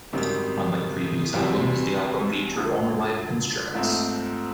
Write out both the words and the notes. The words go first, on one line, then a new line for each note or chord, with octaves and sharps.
Unlike previous albums, the album featured only live instruments.
G#1 F#2 D#3 G3 C4
E2 B2 G3 C4
E1 D2 D3 F3
A#1 G#2 F3 A3 C4